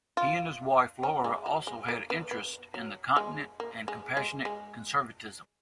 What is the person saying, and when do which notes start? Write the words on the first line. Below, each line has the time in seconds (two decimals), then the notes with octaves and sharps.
He and his wife, Laura, also had interest in the continent and compassionate conservatism.
0.17 F4
1.03 C#4
1.24 G#3
1.46 F#3
1.67 G#3
1.88 A#3
2.10 B3
2.31 B3
2.74 F#3
3.16 G#3
3.60 A#3
3.88 G#3
4.17 G#3
4.45 G#3